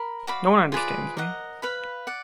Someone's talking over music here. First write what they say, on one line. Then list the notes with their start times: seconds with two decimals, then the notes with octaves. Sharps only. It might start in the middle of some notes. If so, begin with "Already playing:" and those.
No one understands me.
Already playing: A#4 B5
0.27 F#4 D5 F5 B5
0.72 F4 G#4 B4 D5
1.17 A#4 D#5 F#5
1.62 B4 F5 B5
2.07 D5 F#5